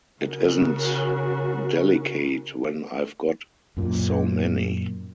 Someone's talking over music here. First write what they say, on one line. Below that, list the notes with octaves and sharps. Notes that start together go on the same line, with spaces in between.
It isn’t delicate when I’ve got so many.
C#3 F#4 A#4
F#2 A#2